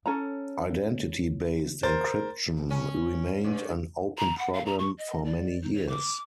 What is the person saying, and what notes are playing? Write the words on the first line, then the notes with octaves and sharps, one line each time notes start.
Identity-based encryption remained an open problem for many years.
C#4 A4 A#5
A#4 C5 A6
C#4
G2
A#5
F#5
F5
A#5
C#6
D#5
D5
D#4
C#5
D6